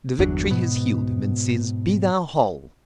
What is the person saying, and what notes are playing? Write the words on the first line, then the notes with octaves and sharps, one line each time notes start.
The victory has healed him, and says--Be thou whole!
G1 E2 F#3 D4
G#2 B2 B3